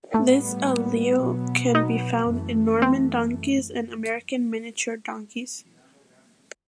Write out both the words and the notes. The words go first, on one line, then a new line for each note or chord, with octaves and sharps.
This allele can be found in Norman donkeys and American miniature donkeys.
A2 G3 A3 B3
B2 F#3 B3
D#4
F#2 E3 A3
C4